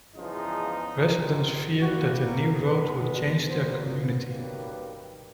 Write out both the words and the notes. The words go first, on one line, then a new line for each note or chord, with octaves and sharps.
Residents feared that the new road would change their community.
E2 C#3 F3 G#3 B3 D#4
A#1 A#2 G3
C2 A#2 G3 F#4
A#4
B1 B2 G#3 B3 B4
B4
A#1 A#2 F#3 B3 C5
B4
F#2 D#3 G3 A#3 B4